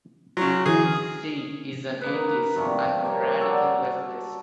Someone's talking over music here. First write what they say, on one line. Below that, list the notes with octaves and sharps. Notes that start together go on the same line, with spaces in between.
She is an atheist and radical leftist.
C#3 F#3 C6 C#6
D3 E3 E4 G#4
D#6 F6
A#3 D#4 B4
G2 C3 F3 C#6
A#3 C#5
F#4 A4 D5